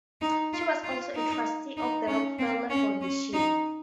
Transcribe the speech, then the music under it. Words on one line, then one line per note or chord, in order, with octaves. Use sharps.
She was also a trustee of the Rockefeller Foundation.
D#4
F4
F4
D#4
D#4
C#4
C4
C#4
C#4
D#4